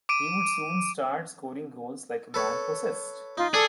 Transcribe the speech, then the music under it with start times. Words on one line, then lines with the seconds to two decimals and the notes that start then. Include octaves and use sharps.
He would soon start scoring goals like a man possessed.
0.09 D6 D7 D#7
2.34 A4 B4 C#5
3.38 D#4 F4
3.54 G#4 A4 D5